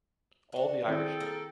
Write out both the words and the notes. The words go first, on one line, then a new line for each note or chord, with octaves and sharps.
All the Irishmen.
D4 F#4
D#3 C4 E4 G#4 A4 G5
A#3